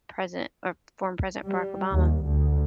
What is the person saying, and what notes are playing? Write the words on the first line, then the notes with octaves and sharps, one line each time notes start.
President or former President Barack Obama
G3
D#2
D2